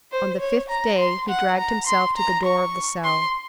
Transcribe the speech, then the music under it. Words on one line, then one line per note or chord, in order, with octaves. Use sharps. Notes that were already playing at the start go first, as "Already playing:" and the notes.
On the fifth day he dragged himself to the door of the cell.
C5
C#5
A#5
C6
F#5
A#5
C6
A#5
C#6
C6